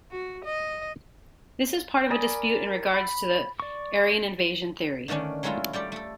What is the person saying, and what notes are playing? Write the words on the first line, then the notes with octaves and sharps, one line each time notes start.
This is part of a dispute in regards to the Aryan invasion theory.
F#4
D#5
A#4 D5 G#5 B5 D#6
B5
D5 C#6
D3 D#3 A3 C#4 D4
F#3 G#3 A3 C#4 E4 F4
G3 A3 G4 D5
A3 A4